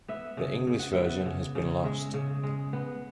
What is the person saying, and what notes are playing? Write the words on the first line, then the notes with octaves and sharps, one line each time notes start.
The English version has been lost.
B3 E5
C#3
C#3
F#5
B3 E5
F#5
C#3
C#3
G#3 E5
C#3
G#3
B3